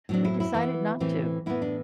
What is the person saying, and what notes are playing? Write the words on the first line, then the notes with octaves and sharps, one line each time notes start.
We decided not to.
A2 F#3 C4 D4
E4
E4
E3 B3
A2 E3 A3 C4
A2 E3 B3 E4
D4